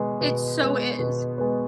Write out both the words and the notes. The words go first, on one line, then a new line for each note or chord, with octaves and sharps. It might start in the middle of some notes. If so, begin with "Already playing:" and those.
It so is.
Already playing: B2 G#3 B3
B2
G#3 B3
B2
G#3 B3